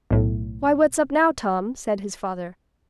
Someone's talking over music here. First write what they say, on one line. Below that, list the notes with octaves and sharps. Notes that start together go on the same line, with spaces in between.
"Why, what's up now, Tom?" said his father.
B1 A2